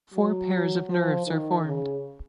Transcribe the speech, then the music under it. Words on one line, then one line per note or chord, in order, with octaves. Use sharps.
Four pairs of nerves are formed.
F#3
F3
D#3
C#3